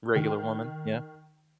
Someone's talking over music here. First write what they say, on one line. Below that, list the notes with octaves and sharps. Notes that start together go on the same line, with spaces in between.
Regular woman, yeah.
D#3